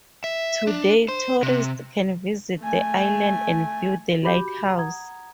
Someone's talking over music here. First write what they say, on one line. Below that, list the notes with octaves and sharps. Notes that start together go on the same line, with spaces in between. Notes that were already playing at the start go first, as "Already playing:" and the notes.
Today, tourists can visit the island and view the lighthouse.
E5
D4
C5
C3
A3 G#5
F#4 G4 B5 D6 G6
F#5 A#5 D#6 G#6